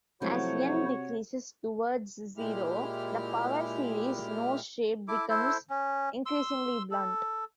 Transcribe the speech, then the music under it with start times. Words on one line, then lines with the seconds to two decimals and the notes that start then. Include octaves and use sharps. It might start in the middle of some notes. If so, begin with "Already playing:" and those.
As "n" decreases towards zero, the power series nose shape becomes increasingly blunt.
0.22 C3 F3 F#3 A3 E4 F#4 C5 C#5
2.37 A#2 G#3 E4 G4 F6
5.08 E4 A4 D6
5.29 E4 A4 C5
5.70 C#4
6.26 C6 E6
6.91 A4